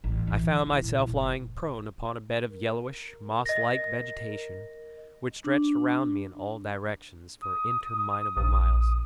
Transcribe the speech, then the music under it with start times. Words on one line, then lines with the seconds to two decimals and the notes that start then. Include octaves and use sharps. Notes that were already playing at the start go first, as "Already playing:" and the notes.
I found myself lying prone upon a bed of yellowish, mosslike vegetation which stretched around me in all directions for interminable miles.
0.04 A1
0.27 E3
0.44 B2
0.66 E4
0.84 A#2
1.07 F#1
2.51 A#4
3.46 D#5 A#6
5.44 D4
7.42 D#6
8.37 A#1